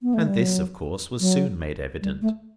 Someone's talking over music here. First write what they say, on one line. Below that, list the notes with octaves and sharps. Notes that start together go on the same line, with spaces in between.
And this, of course, was soon made evident.
B3
A3
G3
F#3
F#3
G3
A3